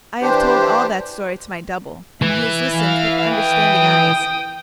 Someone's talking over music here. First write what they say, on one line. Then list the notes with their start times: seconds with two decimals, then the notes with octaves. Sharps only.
I have told all that story to my double, and he has listened with understanding eyes.
0.22 E3 D4 G4 C5
2.22 E3
2.77 F5
3.36 G5 D#6